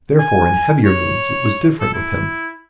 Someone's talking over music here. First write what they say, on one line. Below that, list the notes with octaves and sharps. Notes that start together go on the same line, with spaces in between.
Therefore in heavier moods it was different with him.
G#5
C#5
A4
E4